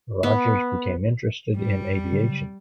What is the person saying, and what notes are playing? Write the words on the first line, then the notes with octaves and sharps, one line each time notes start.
Rodgers became interested in aviation.
B3
G3
C#3 F#3 C4